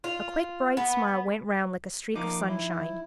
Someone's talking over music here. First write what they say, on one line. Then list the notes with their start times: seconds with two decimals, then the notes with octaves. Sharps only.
A quick, bright smile went round like a streak of sunshine.
0.04 F4
0.77 B3
2.15 F3 A#3 D#4 D6
2.47 E4